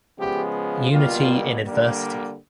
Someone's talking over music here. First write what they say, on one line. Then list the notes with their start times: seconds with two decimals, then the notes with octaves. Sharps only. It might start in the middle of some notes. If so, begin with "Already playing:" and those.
Unity in adversity!
0.18 C#3 F3 G#3 B3 G4
0.91 B2 G3 A#3 F4
1.63 D3 G3 A#3